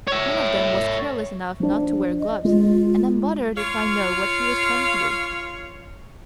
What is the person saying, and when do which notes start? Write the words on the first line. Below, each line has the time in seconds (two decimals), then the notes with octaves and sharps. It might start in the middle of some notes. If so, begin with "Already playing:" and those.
One of them was careless enough not to wear gloves, and I'm bothered if I know what he was trying to do.
0.08 C#5 E5
1.60 F3 D4
2.20 D#5
2.44 G#3 F4
3.58 F4 C#5 F5